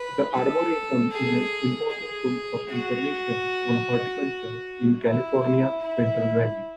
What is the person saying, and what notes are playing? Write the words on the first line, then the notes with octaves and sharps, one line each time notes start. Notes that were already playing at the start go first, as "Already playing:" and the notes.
The Arboretum is an important source of information on horticulture in California's Central Valley.
Already playing: B4
A4
G#4
G#4
F#4
E4
E4